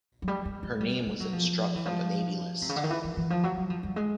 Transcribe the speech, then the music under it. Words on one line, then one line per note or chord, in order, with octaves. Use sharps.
Her name was then struck from the Navy list.
F#3
G3
G3
G#3
G3
G3
F#3
F3
E3
F3
C3
C#3
D3
D#3
E3
E3
E3
F3
F#3
F#3
F3
G3
G#3